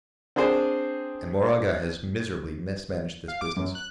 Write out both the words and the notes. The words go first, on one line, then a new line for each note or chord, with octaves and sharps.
And Moraga has miserably mismanaged this business.
C4 D4 G#4 C5
F5
D6
F#2
F#6